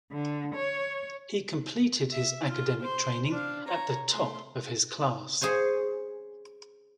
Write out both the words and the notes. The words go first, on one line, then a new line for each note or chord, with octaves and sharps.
He completed his academic training at the top of his class.
D3
C#5
E5
F4
C5 C6
D4 F5
C#5 A#5
A3 C6
G#4 C5 C#5 G#5